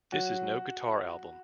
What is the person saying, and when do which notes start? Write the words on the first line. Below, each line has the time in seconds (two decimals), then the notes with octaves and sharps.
This is no guitar album.
0.12 F#3 F#4